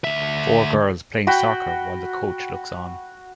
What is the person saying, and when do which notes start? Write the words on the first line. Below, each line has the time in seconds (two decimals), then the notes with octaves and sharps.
Four girls playing soccer while the coach looks on.
0.04 D2 E5
1.27 F#4 G5 B5